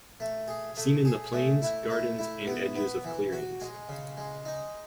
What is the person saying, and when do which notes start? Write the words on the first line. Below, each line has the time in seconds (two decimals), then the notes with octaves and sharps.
Seen in the plains, gardens, and edges of clearings.
0.20 A3
0.48 G#4
0.77 A3
1.05 G#4
1.33 A3
1.62 E4
1.90 A3
2.19 E4
2.47 B3
2.76 B3
3.05 E3
3.33 F#4
3.61 G#3
3.89 C#3
4.17 G#3
4.45 D#4